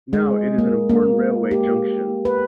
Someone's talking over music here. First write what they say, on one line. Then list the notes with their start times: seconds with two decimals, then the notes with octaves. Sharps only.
Now it is an important railway junction.
0.13 G#3
0.58 A#3
0.89 A#3
1.51 G4
2.25 B4